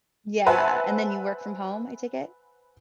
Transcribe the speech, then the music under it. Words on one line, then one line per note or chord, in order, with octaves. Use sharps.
Yeah, and then you work from home, I take it?
B4 C5 E5 F#5 G#5 A5